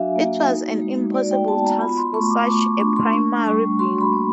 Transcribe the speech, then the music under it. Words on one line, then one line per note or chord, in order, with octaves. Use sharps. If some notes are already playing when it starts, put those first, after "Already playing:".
It was an impossible task for such a primal being.
Already playing: F#3 D4 F#4 E5 F5 G#5
A#3
D#4
G#3
F#4 D5
G5
B3 A5
A#5
F4 B5
C6
A3 C#6
D6
A3 C#6
C#6
D4 C#6
C6
D4 C#6
G3 C#6
F#4 C6
B5
A#3